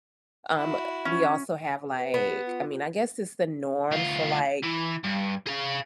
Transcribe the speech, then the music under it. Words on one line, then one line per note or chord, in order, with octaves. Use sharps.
um, we also have, like I mean, I guess it's the norm for, like,
E4 F#4
C#4
B4
B3
G4
F4
D2 F4
E3
G2
G#4 F5